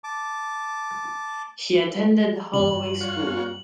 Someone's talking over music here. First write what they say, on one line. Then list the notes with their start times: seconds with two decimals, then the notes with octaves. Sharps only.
He attended Holloway School.
0.04 A5 D6
2.54 E2 G2 C#3 F#7
3.01 F4 F#4 C#5